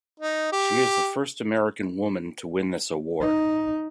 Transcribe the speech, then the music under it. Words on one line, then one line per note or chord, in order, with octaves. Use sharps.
She is the first American woman to win this award.
D#4
G4
D#4